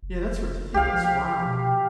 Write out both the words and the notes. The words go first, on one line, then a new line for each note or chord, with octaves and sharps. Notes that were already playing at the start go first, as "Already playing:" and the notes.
Yeah, that's ridiculous. Wow.
F1
C2 G4 F5
F3
B2